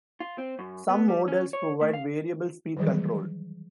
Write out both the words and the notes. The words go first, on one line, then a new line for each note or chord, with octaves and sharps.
Some models provide variable speed control.
F4
C4
F#2
B3
G3
C#4
C#5
A3
F5
D#3 E3 F#3 G3 G#4